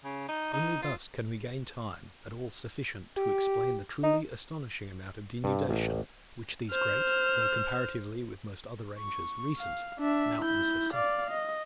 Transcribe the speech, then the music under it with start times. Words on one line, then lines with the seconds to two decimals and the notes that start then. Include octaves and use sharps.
Only thus can we gain time, at all sufficient to explain the truly astonishing amount of denudation, which these great, though comparatively with most other ranges recent, mountains have suffered.
0.04 C#3
0.28 D#4
0.53 D#4
0.82 F4
3.17 G4
4.03 D#4
5.44 G2
5.69 A1
6.72 C5 F6
8.99 C#6
9.59 F5
9.99 D4 E5
10.41 E4 G6
10.94 D5 F5
11.30 D#5